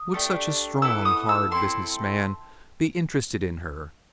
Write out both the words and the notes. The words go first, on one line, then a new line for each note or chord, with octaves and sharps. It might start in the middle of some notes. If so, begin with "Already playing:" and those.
Would such a strong, hard business man be interested in her?
Already playing: D#6
A3 D4 G4
B3 E4 A4 E6
D#6
E6
C4 E4 A4 C6